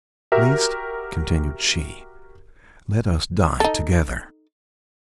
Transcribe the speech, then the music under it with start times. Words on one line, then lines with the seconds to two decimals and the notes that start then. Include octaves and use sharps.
"At least," continued she, "let us die together."
0.32 F#4 G4 A#4 E5
3.60 D#4 A4